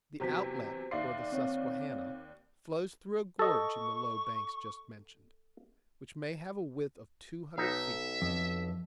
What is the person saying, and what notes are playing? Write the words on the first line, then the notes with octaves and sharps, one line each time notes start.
The outlet, or the Susquehanna, flows through a gorge in the low banks just mentioned, which may have a width of two hundred feet.
E2 C3 F#3 G4 C5 B6
D#2 D5 E5 F5 C6 C7
C4 C#5 F5
A4 D#5 C#6
B1 D#4 E5
F2